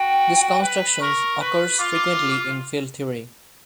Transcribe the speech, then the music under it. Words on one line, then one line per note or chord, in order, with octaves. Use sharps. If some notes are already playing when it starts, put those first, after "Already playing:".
This construction occurs frequently in field theory.
Already playing: F#4 G5
B4
A#4 C#6
B4
F4 D6